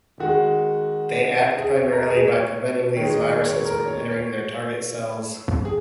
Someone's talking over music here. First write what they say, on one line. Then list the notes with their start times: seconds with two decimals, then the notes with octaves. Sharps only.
They act primarily by preventing these viruses from entering their target cells.
0.20 D#3 G#3 F#4
1.58 G#4
1.76 C#5
1.92 A#4
2.10 G#4
2.27 C#5
2.97 D#3 G#3 C#5
3.14 D#5
3.31 C#5
3.48 C#5
3.65 A#4
3.88 C#5
4.11 C#5
5.65 G#4